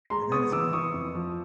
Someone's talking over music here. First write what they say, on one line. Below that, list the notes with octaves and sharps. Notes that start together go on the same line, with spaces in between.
and then it's gone,
G#3 A#5 C6
B3 C#6 D#6
E3 D6 E6
E3 C#6 D#6
F2
F3